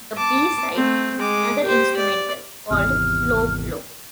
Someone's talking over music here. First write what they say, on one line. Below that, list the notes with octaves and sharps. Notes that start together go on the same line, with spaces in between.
The B-side is another instrumental, called "Slowblow".
A5 D6
A3 C4
G#3 D6
G4 C5
D5
G#1 E2 C3 F6